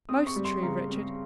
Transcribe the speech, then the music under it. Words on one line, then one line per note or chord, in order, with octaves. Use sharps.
'Most true, Richard.
C4 D#6
C#6
G3
C6
C#3 A#5
C4